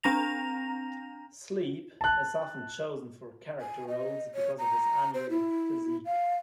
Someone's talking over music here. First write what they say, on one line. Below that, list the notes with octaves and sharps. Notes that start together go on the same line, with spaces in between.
Sleep is often chosen for character roles because of his unusual physique.
C4 D4 A#5 A#6 F7
A5 F#6
G#5
D#5
C#5
A#5
C5
E4
F5